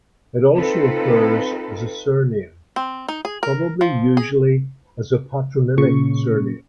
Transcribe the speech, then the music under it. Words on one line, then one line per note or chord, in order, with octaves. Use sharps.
It also occurs as a surname, probably usually as a patronymic surname.
C4 D#4 F4 A4 B4
C4
D#4
G#4
A#4
F3
G#4
A#2 C#3 C#6